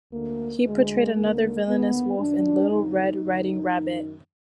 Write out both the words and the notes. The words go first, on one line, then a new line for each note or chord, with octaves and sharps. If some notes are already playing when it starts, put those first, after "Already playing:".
He portrayed another villainous wolf in "Little Red Riding Rabbit".
D2 D3 A#3
D2 D3 G#3
D#2 D3 A#3
D#2 D3 B3
F#2 D#3 D4
F2 D3 D#4
F#2 D3
F#2 D#3